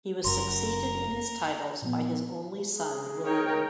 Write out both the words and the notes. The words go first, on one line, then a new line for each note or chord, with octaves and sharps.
He was succeeded in his titles by his only son William.
F#1 F#2 A#4 C6
A#2 F3 B3
G#4
D#4 A#4 C#5 G5